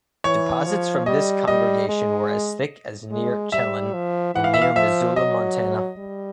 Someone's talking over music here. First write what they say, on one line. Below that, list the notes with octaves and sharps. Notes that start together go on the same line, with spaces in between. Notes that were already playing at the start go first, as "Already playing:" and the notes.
Deposits from this congregation were as thick as near Chelan and near Missoula, Montana.
E3 C#5
F3
G3 D#5
G3 D#5
G#3
G#3
G3 E5
F3
E3 F#5
F5
E5
F5
F3 E5
F#3 D#5
G3